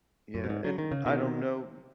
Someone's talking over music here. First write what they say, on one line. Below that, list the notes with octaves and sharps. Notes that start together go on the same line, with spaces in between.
Yeah, and, I don't know
F#2
B2
G#2
F#3
D#3
C#3
B2 D#3